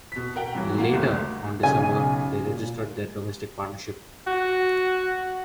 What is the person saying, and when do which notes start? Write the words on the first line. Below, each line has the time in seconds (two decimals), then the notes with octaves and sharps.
Later on December they registered their domestic partnership.
0.12 B2 B6
0.36 A#4 F#5 G5
0.55 G2 E3 F#3
0.78 A3 A#3 F4 A#4 F#5
0.93 D#1 G#1 D2
1.63 B1 C#3 G#5 G#6
2.45 A#2
4.27 F#4